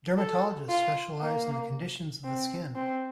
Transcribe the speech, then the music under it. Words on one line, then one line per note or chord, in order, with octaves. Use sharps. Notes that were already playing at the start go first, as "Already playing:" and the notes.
Dermatologists specialise in the conditions of the skin.
A4
F4
A#3
C4
C4